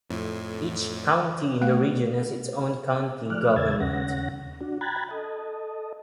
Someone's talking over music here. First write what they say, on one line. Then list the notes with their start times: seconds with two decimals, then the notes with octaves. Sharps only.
Each county in the region has its own county government.
0.10 F2 A2
1.62 A3 F5
3.30 F3 A3 D5 F6 F#6
3.56 E2 C#3 E6 G#6 A6
3.80 D#2 C#3 C#4 F#5 A#6
4.61 D4 F#4
4.81 G5 A#5 B5 F#6 G#6 A6
5.11 A4 D#5